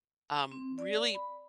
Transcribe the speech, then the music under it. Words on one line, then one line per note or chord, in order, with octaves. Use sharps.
um, really
C4
D5
B5